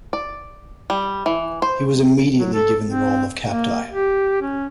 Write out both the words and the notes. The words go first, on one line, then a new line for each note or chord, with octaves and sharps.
He was immediately given the role of captai.
D5
G3
E3
C5
F#3
A4
C4
A#3
G4
C#4